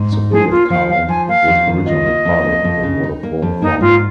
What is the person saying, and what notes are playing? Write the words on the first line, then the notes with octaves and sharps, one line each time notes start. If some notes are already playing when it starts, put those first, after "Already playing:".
Sophiatown was originally part of the Waterfall farm.
Already playing: G#2
D#4
F3 G#4
A#3 F4
F3 F5
D#4 F5
F3 G#5
A#3 F5
F2
D#3
F4 D#5
A#3
F2
A#3
F2
C#3
D#4
A#3
F2
A#3 D#4
G#2 F4